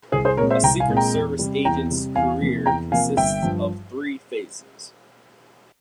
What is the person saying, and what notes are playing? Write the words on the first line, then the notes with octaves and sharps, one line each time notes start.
A Secret Service agent's career consists of three phases.
C2 G#4 C5
G#4 C5
A#2 G#3 C4 A#4 C#5
C5 E5
C2 G5 A#5
F5 G#5
A#2 G#3 C4
G5 A#5
E2
C3 G3
E2 G5 A#5
C3 G3
E2 F5 G#5
C3 F3 A#3
E2 G5 A#5
C3 F3 A#3 F5 G#5
G1 E5 G5
G2 F3